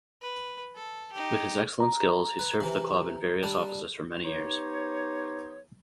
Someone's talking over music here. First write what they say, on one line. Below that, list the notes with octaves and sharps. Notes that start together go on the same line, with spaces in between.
With his excellent skills he served the club in various offices for many years.
B4
A4
D#4 G4
A#5
B4
C3 E3
G3 D4
B3 D#4 G4 C5 C#5